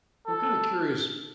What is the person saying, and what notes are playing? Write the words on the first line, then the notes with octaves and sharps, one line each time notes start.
I'm kinda curious.
A4